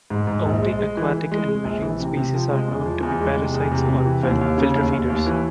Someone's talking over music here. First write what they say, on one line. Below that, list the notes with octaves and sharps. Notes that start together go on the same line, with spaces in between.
Only aquatic and marine species are known to be parasites or filter feeders.
G#2
G#2
A#1
G#3
G#3
E3
E3
G#3
G#3
A#1
E3
C3
C3
F3
G#3
E2
F3
E2
G#3
C3
E2
C3
C3
E3
D#2
D#2
C#3
D#2
D#2
D#2
E3